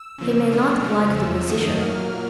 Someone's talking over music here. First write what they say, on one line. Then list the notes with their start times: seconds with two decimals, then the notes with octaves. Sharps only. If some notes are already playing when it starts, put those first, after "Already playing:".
He may not like the position.
Already playing: E6
0.18 C#3 F3 A#3
0.51 B2 F#3 A3 D4 F6
0.84 F2 C#3 F3 A3 F6
1.16 E2 C3 F3 E6
1.49 F#2 D#3 F#3 A3 D#6
1.81 A#2 F#3 A#3 F6